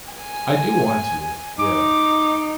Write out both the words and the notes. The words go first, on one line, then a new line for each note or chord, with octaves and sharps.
I do want to, yeah,
G#5
D#4 D6